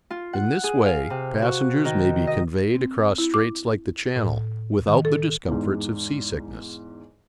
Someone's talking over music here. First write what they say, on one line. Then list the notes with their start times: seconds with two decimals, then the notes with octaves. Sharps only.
In this way passengers may be conveyed across straits like the Channel without the discomforts of sea-sickness.
0.10 F4
0.33 F#5
0.64 G#4
0.86 F5
1.10 C3
1.42 F#4
1.85 D#3
2.27 D#5
2.75 C4
3.18 E4
3.34 D6
4.16 A2
4.87 D#3
5.05 A4
5.48 E2 G#2